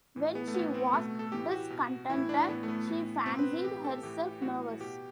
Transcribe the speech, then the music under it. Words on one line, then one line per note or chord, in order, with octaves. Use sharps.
When she was discontented, she fancied herself nervous.
A2 E3
B3
A3
A2 E3 B3
C4
B2 A3
A4
A2 E3 G4
F#4
B2
A2 E3 E4
D4
A2 E3 B3
A3
B3
A2 E3
B2 C4
B4
A2 E3 G4
A4
A2 E3 G4
A2 E3 F#4
B2 G4